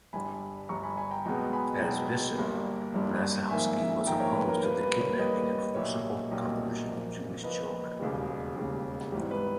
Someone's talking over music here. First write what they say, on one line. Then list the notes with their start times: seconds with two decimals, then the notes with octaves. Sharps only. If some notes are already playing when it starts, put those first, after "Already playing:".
As bishop, Massalski was opposed to the kidnapping and forcible conversion of Jewish children.
0.13 G1 G2 G3 G#5 B5
0.69 G1 G2 G3 A#5 C#6
0.83 G#5 B5
0.97 G#5 B5
1.11 G5 A#5
1.25 B1 B2 G#3 B3 G5 A#5
1.53 G#5 B5
1.81 B1 B2 G#3 B3 G5 A#5
2.38 G1 G2 G3 A#3
2.94 G1 G2 G3 A#3
3.50 A#1 G#2 D#3 A#3 E5 G#5
3.78 E5 G#5
4.07 A#1 G#2 D#3 A#3 G5 A#5
4.20 A#4 C#5
4.35 B4
4.48 A#4 C#5
4.63 G2 G3 A#3 B4
4.81 B4
5.00 A#4 C#5
5.18 G2 G3 A#3 B4 D#5
5.75 B1 A#2 G3 A#3 C#5 E5
6.31 B1 A#2 G3 A#3 D#5 G5
6.87 A#1 A#2 A#3
7.43 A#1 A#2 A#3 B4 D#5
8.00 E1 D#2 C#3 G3
8.56 E1 D#2 C#3 G3
9.12 G#1 G#2 E3 G3
9.31 B4